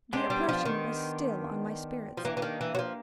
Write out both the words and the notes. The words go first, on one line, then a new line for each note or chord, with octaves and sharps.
The oppression was still on my spirits.
G#3 B3 D4 G4 C5
G3
F3
D#3
F3
E3 A#3 D4 G4
E3
D#3
E3
F#3
F3